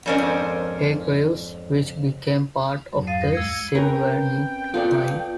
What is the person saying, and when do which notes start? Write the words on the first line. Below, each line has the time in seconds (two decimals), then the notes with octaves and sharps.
Hargreaves, which became part of the Sylvanite Mine.
0.06 F2 G#2 C#4 D4 A#4 C5
2.92 F2 G#2 F#3
3.07 F5 D#6 A6 C7 D#7
3.21 D#2 A#6
3.33 G#3 E6 G#6 C#7
3.75 C4 C#4 A#4 B4 C#5 G5
4.74 B3 F4 A4 D5